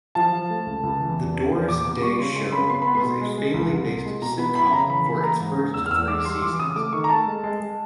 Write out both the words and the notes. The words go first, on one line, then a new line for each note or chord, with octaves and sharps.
"The Doris Day Show" was a family-based sitcom for its first three seasons.
F3 A5
F3
A3
C#2
C#2
E3
E2
E2
E2
A#2 D6
B3 D6
G3 C#6
C#3 C6
G#3 C6
C#3 B5
B3 C6
B3 B5
C6
B2
G#3
G#3
C#2
C2
C2
G#3
B2 A#5
B3 B5
E4 B5
C#3 A#5
E3 B5
E3 B5
A#3 A#5
G#2
A#3
E2 E6
F6
E2 E6
G#3 D6
G3 C6
E3 D6
C#3 D#6
A3 D6
D#3 C#6
A#5
A3 A5
G#3
G#3
G#3